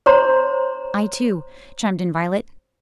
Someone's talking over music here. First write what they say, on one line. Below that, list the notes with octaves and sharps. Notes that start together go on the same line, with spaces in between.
"I too," chimed in Violet.
C5 C#5 A#5 C6